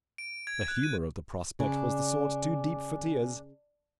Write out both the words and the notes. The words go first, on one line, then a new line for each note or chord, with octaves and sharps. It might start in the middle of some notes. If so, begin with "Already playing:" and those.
The humor of the prospect was the sort too deep for tears.
D7
G#6
F#6
D#7
C#3 D4 G#5